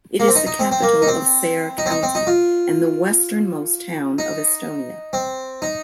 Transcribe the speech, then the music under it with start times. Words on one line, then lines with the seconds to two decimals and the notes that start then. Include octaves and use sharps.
It is the capital of Saare County and the westernmost town in Estonia.
0.20 A#3
0.28 C4
0.35 D#4
0.46 D#4
0.59 C4
0.71 C4
0.83 A#3
1.02 D#4
1.07 C4
1.78 D#4
1.86 C4
1.90 D#4
2.03 C4
2.15 D#4
2.27 F4
4.18 D#4
5.13 C4
5.62 D#4